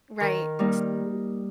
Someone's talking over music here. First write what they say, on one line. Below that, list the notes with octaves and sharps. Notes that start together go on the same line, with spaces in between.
Right. See,
D#3 A#4
G3 A#3 D#4